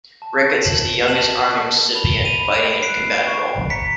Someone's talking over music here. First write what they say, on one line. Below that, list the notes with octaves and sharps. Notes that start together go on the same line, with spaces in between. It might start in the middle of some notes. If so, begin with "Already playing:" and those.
Ricketts is the youngest army recipient fighting in a combatant role.
A5
A5 E7 F#7
A5 E7 F#7
A5
B5 F7 G7
D#7 F7
B5
D7 E7
F#6 C7 D7
C#6
A#5 B6 C#7